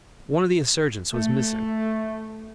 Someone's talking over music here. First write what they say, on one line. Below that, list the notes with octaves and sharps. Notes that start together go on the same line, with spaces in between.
One of the insurgents was missing.
A3